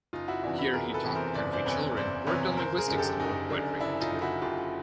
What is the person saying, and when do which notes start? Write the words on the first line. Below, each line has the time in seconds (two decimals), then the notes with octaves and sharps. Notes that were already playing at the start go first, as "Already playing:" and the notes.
Here he taught country children, worked on linguistics and wrote poetry.
0.13 F#1 D#4 F4
0.28 E4 F#4
0.43 E2 C3 E3 D4 E4
0.58 D4 E4
0.74 F#1 G#4 A#4
0.94 A4 B4
1.04 E2 C3 E3
1.15 A#4 C5
1.35 F#1 D5
1.53 C5 D5
1.66 E2 C3 E3 B4 C#5
1.96 F#1 C5 D5
2.27 E2 C3 E3 B4 C#5
2.57 F#1 A#4 C5
2.78 G#4 A#4
2.88 F#2 D3
2.98 G4 A4
3.20 F#1 D#4
3.50 F#2 D3 D4
3.80 F#1 D4 E4
4.01 D#4 F4
4.11 F#2 D3
4.21 E4 F#4
4.42 F#1 F4 G4